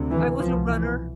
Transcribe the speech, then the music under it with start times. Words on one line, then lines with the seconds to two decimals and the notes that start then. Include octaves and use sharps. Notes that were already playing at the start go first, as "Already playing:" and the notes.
I was a runner.
Already playing: D2 C3
0.10 E3
0.39 C2 B2 F3
0.69 E3